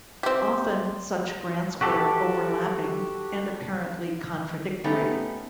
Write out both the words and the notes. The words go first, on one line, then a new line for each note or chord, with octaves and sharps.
Often such grants were overlapping and apparently contradictory.
C4 G4
F#4 G4 A4
A3 B3 C#4 D#4 G4